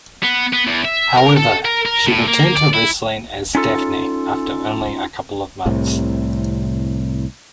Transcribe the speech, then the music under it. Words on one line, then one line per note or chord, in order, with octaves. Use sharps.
However, she returned to wrestling as Daffney after only a couple of months.
B3
B3
E2
E5
A#4
A4
A#4
A#4
A2
A#3
D5
E4
C#4 D#4 F4 A4
C2 A2 C3